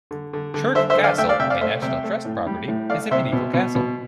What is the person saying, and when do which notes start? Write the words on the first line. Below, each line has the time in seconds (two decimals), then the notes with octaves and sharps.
Chirk Castle, a National Trust property, is a medieval castle.
0.11 D3
0.33 D3
0.54 D3
0.75 D3 C5 E5
0.90 C5 E5
0.97 D3
1.04 D5 F5
1.18 A3 E5 G5
1.29 D5 F5
1.39 C3 E5 G5
1.50 D5 F5
1.61 A3 C5 E5
1.82 C3 E5 G5
2.04 A3
2.25 A2
2.47 G3
2.68 A2
2.90 A3 D5 F5
3.11 C3 C5 E5
3.32 B2
3.53 B2
3.75 B2